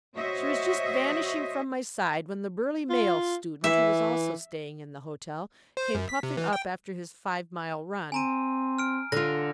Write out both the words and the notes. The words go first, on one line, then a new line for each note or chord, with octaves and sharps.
She was just vanishing from my side when the Burly Male Student, who was also staying in the hotel, came puffing up after his five-mile run.
F#4 C5 C#5 D#5 E5
F4
E3 E5
C5
F#2
B6
C3
E3
G5
C4 G#5 A#5 D#7
F6 D7
D3 F4 A#6